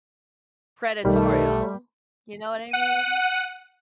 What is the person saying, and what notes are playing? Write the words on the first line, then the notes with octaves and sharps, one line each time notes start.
predatorial, you know what I mean.
B1 D#3 G3 A3
F#5 D#7